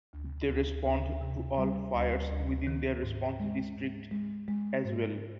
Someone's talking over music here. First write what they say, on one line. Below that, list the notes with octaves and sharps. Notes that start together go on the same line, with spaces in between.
They respond to all fires within their response district as well.
D2
D2
D2
C3
G3
D2
D2
D#3
G#2
G#3
G#2
G#3
G#3
G#2